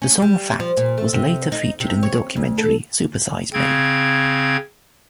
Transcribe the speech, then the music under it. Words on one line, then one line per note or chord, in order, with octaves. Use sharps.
The song "Fat" was later featured in the documentary "Super Size Me".
C#4
G3
F3
A#2
A3
C3
D#4
C3
C#5
D2
A4
C#3 C4 G#6